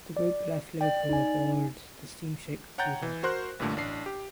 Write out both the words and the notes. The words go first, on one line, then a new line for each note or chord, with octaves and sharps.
The group left Liverpool aboard the steamship "Cuba".
D5
D5 G5
D#4 G#5
C#5 F#5 G5 A#5 G6 A6
E3
F#4 A#4 C5 C6 C#6 F#6
A1 G2 A#2 D3 A3
A1 D4 C7
G4